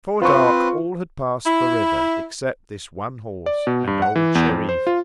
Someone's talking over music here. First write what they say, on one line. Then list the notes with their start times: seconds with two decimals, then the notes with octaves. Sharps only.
Before dark all had passed the river except this one horse and old Shereef.
0.22 C4 F4 B4 C5 C#6
1.45 E4
3.46 D5
3.67 B2
3.87 G2
4.02 F#5
4.16 E3
4.35 E2
4.49 F2
4.69 C5
4.87 F4